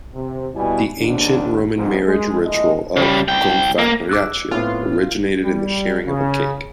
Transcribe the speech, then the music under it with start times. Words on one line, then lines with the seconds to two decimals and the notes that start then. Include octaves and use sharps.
The Ancient Roman marriage ritual of "confarreatio" originated in the sharing of a cake.
0.14 C3
0.55 B2 G3 E4 G#5
0.98 D#2 G#2 D4
1.77 F2 G#2 B2 D#3
2.07 G#3 G#4
2.45 A#1 G#3 A3 E4 D#5
2.96 C#3 G3
3.28 C2 G5
3.79 A#3
4.09 D6 E6 F#6
4.51 A2 B3 C4 F4
5.44 G3
6.06 C#3